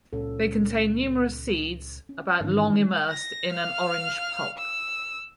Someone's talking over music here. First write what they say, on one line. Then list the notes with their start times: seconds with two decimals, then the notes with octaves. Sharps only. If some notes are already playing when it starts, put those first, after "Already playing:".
They contain numerous seeds about long immersed in an orange pulp.
0.13 C#2 A#2 C#4 A4
2.09 C#4
2.41 G#2 D#3 E3 C#4
3.10 A#6
3.51 F5 F6
4.58 E6